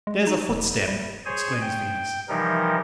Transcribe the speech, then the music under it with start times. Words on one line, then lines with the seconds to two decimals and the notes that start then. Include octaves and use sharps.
'There's a footstep!' exclaims Venus.
0.07 G#3
0.27 D#4
0.49 E1
0.88 G3
1.25 G#4 C5 C#5 G#5
1.61 G5
2.29 C3 E3 F3 G3 D#4 A#4